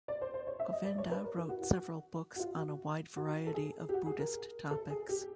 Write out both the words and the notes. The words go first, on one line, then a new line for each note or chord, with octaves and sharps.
Govinda wrote several books on a wide variety of Buddhist topics.
D5
C5
C5
C#5
E5
D#5
D5
C#5
B4
A#4
E4
F#4
F#4
F#4
F4
F#4
F#4
A4
G#4
G4
F#4
G#4
A#4
A4
G#4
G4